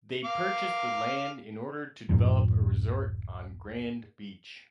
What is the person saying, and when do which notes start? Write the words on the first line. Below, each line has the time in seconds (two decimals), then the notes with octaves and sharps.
They purchased the land in order to develop a resort on Grand Beach.
0.25 F5 D6
2.09 D1 F#2 A2 F3